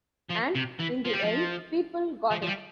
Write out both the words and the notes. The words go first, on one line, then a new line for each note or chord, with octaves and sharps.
And, in the end, people got it.
F3
C3
E3
F3
G3
F3
F3
F3
G3